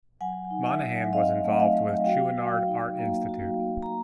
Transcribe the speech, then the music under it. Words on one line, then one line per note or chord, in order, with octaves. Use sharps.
Monahan was involved with Chouinard Art Institute.
F#3 F#5 G#5
D#4
E5 F#5
F#3
C4 D#5 F5
A3
D#5 F5
F#3
F#4 F5 G5
F#4
D#4
A#3
F#4
A#3
A#5